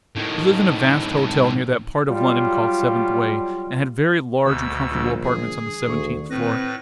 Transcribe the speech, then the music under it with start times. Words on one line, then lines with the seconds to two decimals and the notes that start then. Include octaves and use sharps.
He lived in a vast hotel near that part of London called Seventh Way, and had very large and comfortable apartments on the seventeenth floor.
0.16 A2 D#3
2.08 F#3 G3 F4
4.46 D2 B2 D3 E6
4.91 A#1 D3 G3 D4
5.23 G#4
5.87 D2 D#3 C#6
6.30 A2 C4 B4 A#6